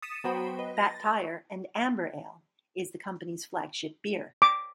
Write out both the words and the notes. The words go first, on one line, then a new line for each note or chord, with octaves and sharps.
Fat Tire, an amber ale, is the company's flagship beer.
D#6 A6 B6 C#7 D#7 E7
F#3 B3 F#4 C5 G5 B5
B4 D#5
A6 A#6
D6